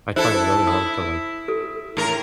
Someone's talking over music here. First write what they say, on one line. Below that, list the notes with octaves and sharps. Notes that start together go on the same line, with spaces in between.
I tried really hard to, like
E4 A4 C5
E4 D#6
A4
A2 A#4